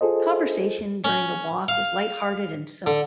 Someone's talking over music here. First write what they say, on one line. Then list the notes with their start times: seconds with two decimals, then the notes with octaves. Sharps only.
Conversation during the walk is light-hearted and simple.
0.01 F4 G#4 A4 C5 D#5
1.05 C#4
1.68 F5
2.87 D3